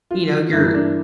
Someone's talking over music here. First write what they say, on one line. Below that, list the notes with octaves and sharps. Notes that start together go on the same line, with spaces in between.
”you know, you're
F4
G2 E3 A#3 E4
D4